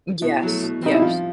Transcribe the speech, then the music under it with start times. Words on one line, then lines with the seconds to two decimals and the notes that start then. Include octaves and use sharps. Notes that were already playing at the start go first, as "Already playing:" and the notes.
Yes, yes.
0.22 B2 E4
0.43 F#3 A3
0.63 B2
0.82 G3 C4 D#4
0.95 E4
1.02 F3 F4